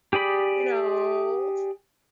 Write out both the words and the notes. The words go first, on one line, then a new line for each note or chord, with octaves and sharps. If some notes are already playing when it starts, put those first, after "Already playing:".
you know
G4 G#4 D5 B5